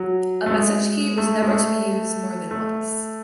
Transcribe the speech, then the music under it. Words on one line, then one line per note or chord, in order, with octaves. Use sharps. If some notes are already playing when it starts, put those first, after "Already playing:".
A message key was never to be used more than once.
Already playing: F#3
A3
G#3
A3
G#3
A3
A3